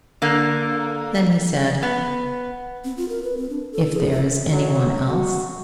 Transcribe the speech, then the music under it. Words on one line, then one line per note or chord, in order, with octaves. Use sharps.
Then he said: "If there is anyone else?"
D3 A#3
B3
C4
F4
A#4
B4
C4
D4
A4
G#4
E5
F#3
F#4